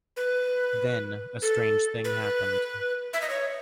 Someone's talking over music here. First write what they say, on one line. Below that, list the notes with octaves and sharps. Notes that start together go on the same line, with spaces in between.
Then a strange thing happened.
B4
A4
B4
E5
D#5
C#5